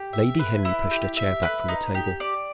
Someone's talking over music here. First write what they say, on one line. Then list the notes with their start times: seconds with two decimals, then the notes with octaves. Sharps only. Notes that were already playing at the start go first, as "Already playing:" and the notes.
Lady Henry pushed her chair back from the table.
Already playing: G4
0.13 E5
0.39 B4
0.65 E4
0.91 G4
1.17 E5
1.43 B4
1.68 D#4
1.95 G4
2.20 D5